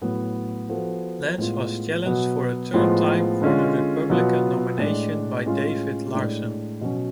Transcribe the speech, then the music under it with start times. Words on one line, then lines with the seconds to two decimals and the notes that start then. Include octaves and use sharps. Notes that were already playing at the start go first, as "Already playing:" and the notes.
Lance was challenged for a third time for the Republican nomination by David Larsen.
0.02 A2 F#3 B3
0.69 F3 B3 F#4 A4
1.38 A2 G#3 B3 F4
2.05 B2 F#3 B3
2.74 A2 F3 G#3 B3 F4
3.42 D3 G#3 C#4 F4
4.10 B2 F#3 B3 F4
4.78 A2 G#3 D4
5.45 A2 G#3 C#4 F4
6.14 A2 G#3 D4
6.81 B2 F#3 C#4